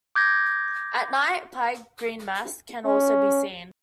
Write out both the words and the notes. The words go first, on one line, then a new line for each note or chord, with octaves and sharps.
At night, Pye Green mast can also be seen.
D6 G6 G#6 A#6
C#4